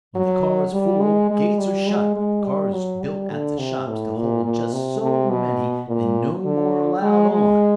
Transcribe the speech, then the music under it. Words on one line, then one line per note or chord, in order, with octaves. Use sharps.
When the car's full, gates are shut; cars built at the shops to hold just so many, and no more allowed on.
F#3
G3
G#3
G#3
G3
G#3
G#3
G3
F#3
G3
D3
C3
A2
A#2
A#2
C3
C3
B2
A#2
D3
G#3
G#3